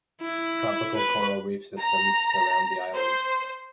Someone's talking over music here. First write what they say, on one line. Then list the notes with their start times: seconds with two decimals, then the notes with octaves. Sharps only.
Tropical coral reef systems surround the island.
0.22 E4
0.97 B4
1.78 A#5
2.93 C5